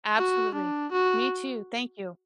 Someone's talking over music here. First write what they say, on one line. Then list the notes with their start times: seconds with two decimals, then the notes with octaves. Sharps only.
Absolutely. Me too, thank you.
0.18 F#4
0.55 D4
0.92 F#4